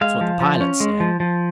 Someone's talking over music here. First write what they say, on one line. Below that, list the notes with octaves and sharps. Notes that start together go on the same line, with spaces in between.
That's what the pilot said.
G#3 F5
F3
F3
C#4
G#3
F3
F3